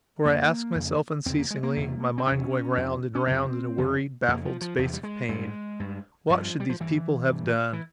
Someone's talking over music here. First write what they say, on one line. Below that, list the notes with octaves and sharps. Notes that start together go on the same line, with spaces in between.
For I ask myself unceasingly, my mind going round and round in a weary, baffled space of pain--what should these people have done?
F2 C#3 A#3
F2 C#3
E2 C#3 C4
A#3
G#3
A#3
E2 C3
C4
E2 C3 C#4
F2 C3
C#4
F2 C#3 C4
F2 C#3
F2 C#3 A#3
F3
F3
E2 C3 F3
G3
G#3
G2 G#3
G2
G2 F3
G3
F3
G2 E3
G2
E3